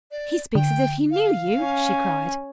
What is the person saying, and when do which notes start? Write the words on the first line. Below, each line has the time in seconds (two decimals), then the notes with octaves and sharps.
"He speaks as if he knew you!" she cried.
0.11 D5
0.55 D3 G5
1.11 F5
1.60 C#4